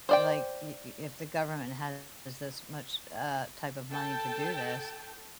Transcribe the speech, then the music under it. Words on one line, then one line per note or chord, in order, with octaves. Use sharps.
like y y if the government has this much, uh, type of money to do this,
C5 D5 G5
A4 G5 A5